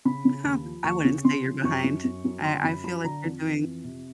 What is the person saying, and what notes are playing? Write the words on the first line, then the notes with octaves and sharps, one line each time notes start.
Uh, I wouldn't say you're behind. I I feel like you're doing
C#3 B5
C#3
D#2
F3
D#2 C#6
C#3
C#3 C6
F3
F#2 C#6
F#2
F#2
F#2
D3 C6
F#2 B5
F#3 B5
D3 A#5
F2
E3
F2
C3